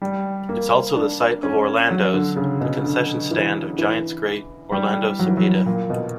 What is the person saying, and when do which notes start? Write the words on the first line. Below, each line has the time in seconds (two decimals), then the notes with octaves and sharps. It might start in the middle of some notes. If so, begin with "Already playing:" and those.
It's also the site of "Orlando's", the concessions stand of Giants great Orlando Cepeda.
0.02 G3
0.49 A#3
0.96 D4
1.43 C#4
1.91 F#3
2.14 D3
2.36 C#3
2.61 B2
2.84 D3
3.31 E3
3.79 E3
4.72 G3
5.19 F#3
5.28 E3
5.37 F#3
5.66 A#2
5.90 B2